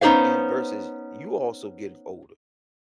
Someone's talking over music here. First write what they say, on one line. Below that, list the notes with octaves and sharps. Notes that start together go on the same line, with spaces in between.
and versus you also getting older
B3 C#4 D#4 G#4 C5 F5